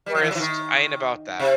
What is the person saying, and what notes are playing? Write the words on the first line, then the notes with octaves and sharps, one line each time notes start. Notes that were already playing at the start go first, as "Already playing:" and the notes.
forest, I ain't about that.
G3
F#3
E3
F#3
E3
D#3
C3